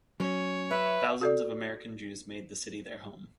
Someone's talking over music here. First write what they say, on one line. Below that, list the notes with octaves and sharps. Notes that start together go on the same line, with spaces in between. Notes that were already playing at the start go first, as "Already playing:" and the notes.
Thousands of American Jews made the city their home.
F#3 C#4 C#5
B4 E5
F#4 A4 D5